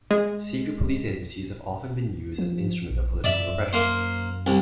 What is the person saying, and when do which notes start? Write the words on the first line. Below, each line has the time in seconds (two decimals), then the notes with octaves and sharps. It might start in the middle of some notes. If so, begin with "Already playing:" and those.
Secret police agencies have often been used as an instrument of political repression.
0.11 G#3
2.38 F3
2.91 A#1
3.24 F#2 D5 E5
3.73 A#3 C5
4.47 C2